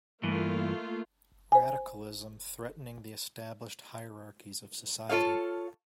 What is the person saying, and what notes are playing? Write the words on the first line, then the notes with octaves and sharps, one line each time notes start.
Radicalism threatening the established hierarchies of society.
G2 E3 A3 A#3 F4
C5 G#5
F4 A4 C#5 F5